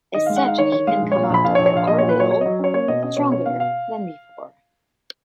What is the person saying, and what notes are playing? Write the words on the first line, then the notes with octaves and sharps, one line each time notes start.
As such, he can come out of the ordeal stronger than before.
D#3 D#5
G#3 F5
F#5
D#4 F5
D#3 C#5
D#3 C#5
G#3 F5
A#1
A#2 C#5
F5
A#1 B5
A#1 F5
C#5
A#1
C#5
A#1 F5
A#2 D#5
A#2 C#5
B4
F#3 C#5
F#3 C#5
F#3 D#5
C#4 C#5
A#3 C#5
B2 D#5
C#4 D#5
B2 C#5
C#4 C#5
B2 F5
F5